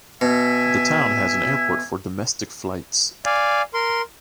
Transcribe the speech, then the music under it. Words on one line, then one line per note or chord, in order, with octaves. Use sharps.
The town has an airport for domestic flights.
B2 E5 G#5
D5 F5 G#5
A#4 C6